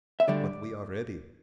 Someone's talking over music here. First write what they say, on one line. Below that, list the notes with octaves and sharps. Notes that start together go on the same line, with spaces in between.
But we are ready.
E5
D2 D3 G3 D5